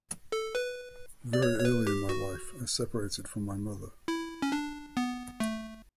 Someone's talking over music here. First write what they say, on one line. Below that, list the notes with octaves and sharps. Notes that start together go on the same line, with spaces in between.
Very early in my life, I separated from my mother.
A4
B4
D5
C#5
C#5
B4
G4
F#4
E4
C#4
D4
B3
A3